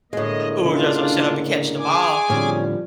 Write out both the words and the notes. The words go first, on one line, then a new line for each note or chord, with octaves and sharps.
who are just, like, "Shut up and catch the ball,"
A2 D3 G#3 A#3 D#5
C#3 D4 F4
G#4 G#5 D6
A2 D3 F3 G3 C4 C#4